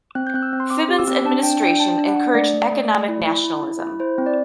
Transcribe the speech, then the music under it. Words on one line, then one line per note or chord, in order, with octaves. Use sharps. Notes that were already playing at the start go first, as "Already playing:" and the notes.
Phibun's administration encouraged economic nationalism.
C4 F#6
G6
C4 F#6
E6
C4
C6
C4 D6
G4
E6
C4
D4 A5
D4 G5
D4 G5
D4 A5
D4
F#5
D4
A3 D5
A3
A3
A3
E4
E4
E4
E4
E4
E4 C5
C4
D5